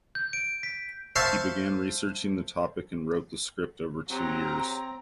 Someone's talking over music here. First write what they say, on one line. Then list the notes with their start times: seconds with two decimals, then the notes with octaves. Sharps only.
He began researching the topic and wrote the script over two years.
0.15 G6
0.33 D7
0.63 B6
1.16 C5 E5 F5 A5 C6 C#6
4.10 F#3 C4 G4 A#5